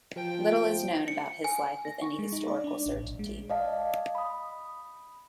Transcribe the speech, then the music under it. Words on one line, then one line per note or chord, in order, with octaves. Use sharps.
Little is known about his life with any historical certainty.
F3 G5
C#7
G#5
A#6
C#6
G#3
D#4
D5
D4
A1
A#1
G#3
D5 D#5 F5 A5
B5 D#6